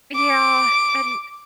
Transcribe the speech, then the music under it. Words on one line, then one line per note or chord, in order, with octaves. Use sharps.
Yeah, and,
D6